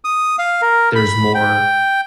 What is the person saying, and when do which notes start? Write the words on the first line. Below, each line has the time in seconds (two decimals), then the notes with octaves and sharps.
there's more,
0.05 D#6
0.39 F5
0.62 A#4
0.96 B5
1.35 G5